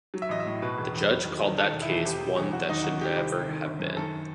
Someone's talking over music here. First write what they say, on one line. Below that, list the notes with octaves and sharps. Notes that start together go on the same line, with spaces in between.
The judge called that case one "that should never have been".
F#3
E5
A1 D#5
E5
A2
B2 B4
E1
E2
F#3
D#2
D#3
D#3 A4
E1
E4
E2
C3 G4
E1
E2
F#3 F#4
D#2 D#4
D#3 F#4
D#3 G4
C2
C3
D#3
G1
F#2
D#3 A4